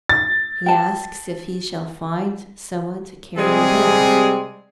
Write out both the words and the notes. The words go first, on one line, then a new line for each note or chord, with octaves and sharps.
He asks if he shall find some one to carry my bag.
A6
G5 A5
C3 G3 G#3 C4 G#4